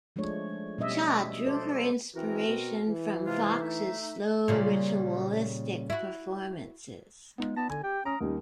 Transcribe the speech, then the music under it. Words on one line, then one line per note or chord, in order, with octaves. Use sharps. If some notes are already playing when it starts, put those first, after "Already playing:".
Cha drew her inspiration from Fox's slow, ritualistic performances.
F3 G#3 A3 D4 C#5
B2 G3 C#4 D#5 E5
A4 C5 D5
E3 C4 F#4 A#4
B2
E3
C3 G#3 F4
A3 D#4 E5
A#2 C#3 G3
E4 F#4
G#3 B3 D#4 F4
B3 D5 A5 B5 A#6
D3 G#5
G4 G5
C#4 A#5 D#6 F6 D7
D#2 G3 C#4 D#4